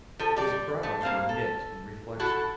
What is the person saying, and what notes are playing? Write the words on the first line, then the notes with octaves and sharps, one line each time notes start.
His brows were knit in reflection.
F3 A4
G3 D5
A3
A#3 C4 F5
A4
E4 F#4 A4